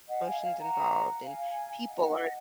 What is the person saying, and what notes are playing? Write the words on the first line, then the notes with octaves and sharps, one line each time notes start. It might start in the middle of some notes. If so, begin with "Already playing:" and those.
promotions involved, and people are
D#5 F#5
F5 G#5
F5 G#5
F#5 A#5
F5 G#5
D#5 F#5